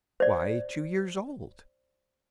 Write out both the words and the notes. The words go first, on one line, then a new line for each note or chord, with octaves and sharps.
"Why, two years old."
C5 D5